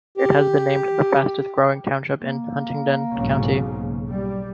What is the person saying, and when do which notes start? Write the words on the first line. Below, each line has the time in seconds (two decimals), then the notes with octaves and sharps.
It has been named the fastest growing township in Huntingdon County.
0.18 G4
2.22 A#3
3.14 B1 G#2 C#3
4.08 G3